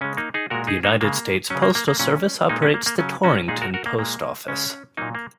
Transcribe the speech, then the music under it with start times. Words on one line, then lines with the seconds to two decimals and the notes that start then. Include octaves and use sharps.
The United States Postal Service operates the Torrington Post Office.
0.01 C#3 G#3 C#4
0.17 A#3 D#4
0.34 D#4 G#4
0.50 A#2 G#3 F#4 A#4
0.67 D#4 G#4
0.84 A#3 D#4
1.01 C#3 G#3 A#3
1.50 C#3 F#3 C#4
1.62 A#3
1.75 A#3
1.88 A#3
1.99 A#2 F#3 C#4
2.49 A#2 G#3 A#3 D#4
2.62 C#4
2.74 A#3
2.86 A#3
2.99 C#3 F#3 C#4
3.23 C#4 F#4
3.48 A#2 G#3 D#4 G#4
3.61 F#4 A#4
3.74 F#4 A#4
3.86 A#3
3.99 A#2 G#3 A#3
4.48 C#3 G#3 C#4
4.97 A#2 F#3 A#3 D#4
5.15 A#3